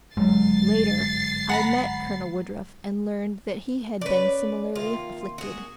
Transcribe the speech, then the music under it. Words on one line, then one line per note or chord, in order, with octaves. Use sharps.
Later, I met Colonel Woodruff, and learned that he had been similarly afflicted.
G1 G#2 F#3 G#3 A6 C7
F#5 A#5 B5
C#4 A#4 B4 C#5 D5
C3 D#3 A#3 F4
F#4 G#4